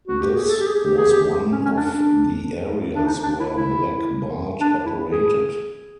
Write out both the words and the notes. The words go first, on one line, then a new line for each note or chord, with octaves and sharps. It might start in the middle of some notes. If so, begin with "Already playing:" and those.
This was one of the areas where Black Bart operated.
F#4
G4
G#4
A4
G4
G#4
G4
G#4
G4
C#4
C#4
D4
D4
D4
D#4
D4
E4
E4
D4
E4
G#4